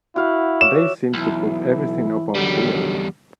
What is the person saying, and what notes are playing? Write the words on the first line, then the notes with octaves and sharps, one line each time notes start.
They seem to put everything upon Bill!
E4 F#4 F5 F#5
C#5 E5 D6 E7
B1 E3 E4
E2 D3 D#3 F#3 G3